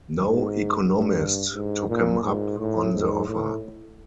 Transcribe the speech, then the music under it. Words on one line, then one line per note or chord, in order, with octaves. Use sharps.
No economist took him up on the offer.
G#2
G2
G#2
A#2
G#2
A2
G#2
A2